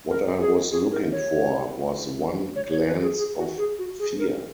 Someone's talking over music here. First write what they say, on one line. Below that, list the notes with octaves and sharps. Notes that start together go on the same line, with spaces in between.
What I was looking for was one glance of fear.
A#4
G#4
G#4
A#4
C#5
C#5
C#5
B4
G#4
G#4
F#4
G#4
F#4
G#4
A#4